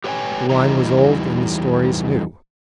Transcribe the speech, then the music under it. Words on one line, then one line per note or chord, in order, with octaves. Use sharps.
The wine was old and the stories new.
G4 B4 C#5 E5 G5 G#5
E2 E3 G3 D#4 A#5